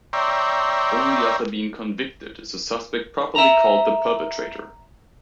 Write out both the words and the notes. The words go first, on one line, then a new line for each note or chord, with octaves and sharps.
Only after being convicted is the suspect properly called the perpetrator.
C#5 D5 E5 G5 A#5 C6
E5 A#5